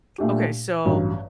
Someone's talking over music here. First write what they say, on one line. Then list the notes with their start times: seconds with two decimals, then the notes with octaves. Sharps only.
Okay, so
0.18 A#2 A3 D4 G4
0.86 A1 G2 F#3